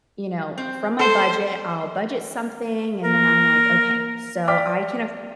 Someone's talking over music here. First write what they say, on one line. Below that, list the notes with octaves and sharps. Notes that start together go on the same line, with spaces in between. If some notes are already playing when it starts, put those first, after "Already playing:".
you know, from my budget, I'll budget something, and then I'm like, "Okay, so I can aff"
C4
A4 C5
A#3 A#4
D5 G5 D6 F6 B6